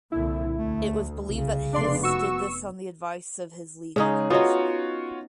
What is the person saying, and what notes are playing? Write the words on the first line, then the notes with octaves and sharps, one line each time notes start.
It was believed that Hiss did this on the advice of his legal counsel.
C2 A#2 D3 E4
D2 A3
C2 C#3
F1 B3 D4 D5 C6
F#4 C#6 E6
C#3 G#3 C#4 D#4 G#4
B3 D#4 F4 F#4 C#5